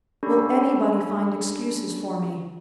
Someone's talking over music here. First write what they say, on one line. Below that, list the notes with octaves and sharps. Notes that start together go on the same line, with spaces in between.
Will anybody find excuses for me?
C#4 D4 G4 A4 B5 C#6